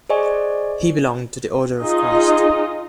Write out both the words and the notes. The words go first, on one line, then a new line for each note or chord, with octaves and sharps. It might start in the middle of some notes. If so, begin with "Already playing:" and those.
He belonged to the Order of Christ.
G#4 C5 D5 D#5 G#5 C#6
D#4 F4 G#4 D#5